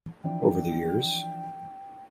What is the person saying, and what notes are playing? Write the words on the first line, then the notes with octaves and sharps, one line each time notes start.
Over the years.
E3 F3 D4 G5